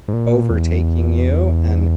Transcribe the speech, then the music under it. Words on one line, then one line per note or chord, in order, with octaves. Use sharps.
overtaking you, and
G#2
A#2
E2